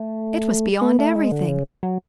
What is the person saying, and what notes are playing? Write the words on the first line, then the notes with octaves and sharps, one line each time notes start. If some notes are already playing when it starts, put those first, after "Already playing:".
It was beyond everything.
Already playing: A3
B3
A3
G#3
D3
C#3
F#3